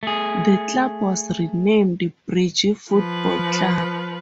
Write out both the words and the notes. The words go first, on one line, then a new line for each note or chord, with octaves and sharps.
The club was renamed "Bridge Football Club".
A3 G#4
F3 B4